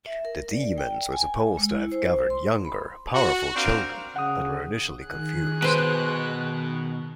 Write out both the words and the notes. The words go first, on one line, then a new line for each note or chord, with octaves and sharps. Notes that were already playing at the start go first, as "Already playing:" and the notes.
The demons were supposed to have gathered younger, powerful children but were initially confused.
E5
A#4
D5
G5
G#5
G#3
E4
C5
C6
B5
F#4
C4 D4 A#4 F5
C#3 F#5 D#6
D#3 G#4 F#6
B2 B4 C5